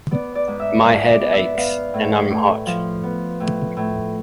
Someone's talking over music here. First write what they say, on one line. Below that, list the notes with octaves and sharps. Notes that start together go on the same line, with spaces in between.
My head aches, and I'm hot.
B3 D5
D5
G#2
E5
G#3 E5
D5
B3
E5
B3 F5
A2
A2
F3
B3
A2
A2